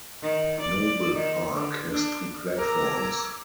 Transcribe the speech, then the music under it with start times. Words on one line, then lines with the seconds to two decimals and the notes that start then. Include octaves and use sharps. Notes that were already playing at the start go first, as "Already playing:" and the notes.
Noble Park has two platforms.
0.22 D#3
0.60 D5
1.15 D#3
1.55 D3
1.91 D4
2.59 A#4 A#5 D6 E6 G#6